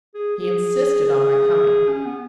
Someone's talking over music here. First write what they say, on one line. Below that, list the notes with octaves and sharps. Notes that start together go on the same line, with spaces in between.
He insisted on my coming.
G#4
G#4
C#4
B3